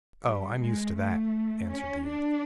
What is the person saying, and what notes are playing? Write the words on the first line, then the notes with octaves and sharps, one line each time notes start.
'Oh, I am used to that,' answered the youth.
G3
G#3
A3
C#4
D4